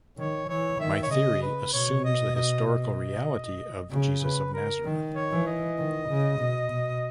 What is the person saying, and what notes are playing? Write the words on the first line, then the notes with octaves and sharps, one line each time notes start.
My theory assumes the historical reality of Jesus of Nazareth.
D#3 C#5
E3 C#5
D#3 E5
C#5
C#3 D#5
B4
B2 C#5
D#5
D#5
D#5
C#3
B4
A#4
D#3
C#5
E3
D#5
D#3
C#3
B2
B2